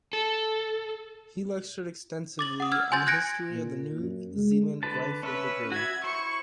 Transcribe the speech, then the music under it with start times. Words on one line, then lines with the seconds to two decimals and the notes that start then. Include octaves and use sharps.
He lectured extensively on the history of the New Zealand Rifle Brigade.
0.13 A4
2.39 D6 A6 F#7
2.60 F#5 D#6
2.72 E6 F6 G#6
2.92 G#5 C6 G6 A6
3.07 F#6 G#6 A#6 C#7 D7
3.51 A#2
3.99 F#2
4.33 G#3
4.83 D3 B4 A5
5.23 C#4 B4 E5
5.72 F#4 E5 G#6
6.04 E4 C5 C#6